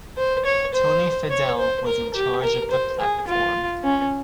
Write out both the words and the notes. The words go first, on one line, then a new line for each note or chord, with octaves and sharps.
Tony Fadell was in charge of the platform.
C5
C#5
C5
C#5
C5
A#4
G4
A#4
C5
G#4
F4
C#4